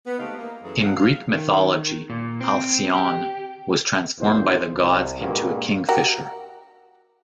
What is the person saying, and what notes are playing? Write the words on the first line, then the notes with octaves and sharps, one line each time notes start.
In Greek mythology, Alcyone was transformed by the gods into a kingfisher.
B3
G#3 A3 C4 D#4 G4 F5
A#3
F#2 E3 F#3 G#4 A4
C4 D4 D#4 F5 F#5
C3 F#3 G#3 F5
D#3
A#2
C4
G4
B1 E2 A#2 D#4 E4 C5
C2
G2 A#2 G#3 A#3 F#4
F#4 G4 A#4